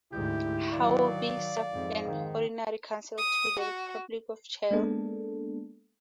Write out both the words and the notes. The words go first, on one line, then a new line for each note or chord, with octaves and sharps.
Haughey served as an Honorary Consul to the Republic of Chile.
D2 G#2 E4 G4 G6
D#3 F#3 D5 F5
F5
F2 G#2
D#3
D#6
F#4
G#3 A#3 B3 D4 A4